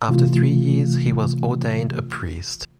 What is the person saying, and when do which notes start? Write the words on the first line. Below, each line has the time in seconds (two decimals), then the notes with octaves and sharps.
After three years he was ordained a priest.
0.08 C3 E3 A3 F4